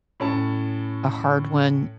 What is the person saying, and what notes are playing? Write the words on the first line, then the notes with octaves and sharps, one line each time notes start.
a hard one
A2 C#4 A5